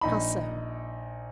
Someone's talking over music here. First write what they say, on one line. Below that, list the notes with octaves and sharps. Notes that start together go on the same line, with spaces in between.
"How so?"
A#1 D#4 B5